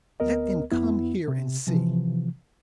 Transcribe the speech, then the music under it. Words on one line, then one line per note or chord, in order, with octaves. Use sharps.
Let them come here and see.
D2 B3 A#4 D#5
F2 B3 E4
C3
C3 E3 F3